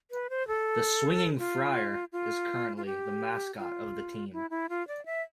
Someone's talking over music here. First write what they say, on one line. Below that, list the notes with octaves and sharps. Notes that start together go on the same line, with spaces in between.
The "Swinging Friar" is currently the mascot of the team.
B4
C5
A4
F4
F4
F4
G4
F4
E4
E4
F4
D5
E5